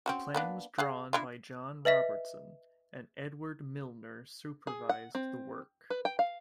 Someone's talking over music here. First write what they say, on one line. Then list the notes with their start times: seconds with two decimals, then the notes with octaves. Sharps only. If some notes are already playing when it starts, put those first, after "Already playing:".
The plan was drawn by John Robertson and Edward Milner supervised the work.
0.06 C4 C#4 F#4
0.34 A#3 B3 D4
0.78 G#4 F5 F#5
1.13 D4 E4 F4
1.85 B4 D#5 E5 B6
4.67 G#4
4.89 F#5
5.15 C4
5.90 B4
6.05 G5
6.19 F5